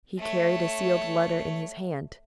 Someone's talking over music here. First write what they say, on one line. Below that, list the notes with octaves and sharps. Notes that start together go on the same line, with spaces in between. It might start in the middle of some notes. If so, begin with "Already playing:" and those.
He carried a sealed letter in his hand.
A3 C#5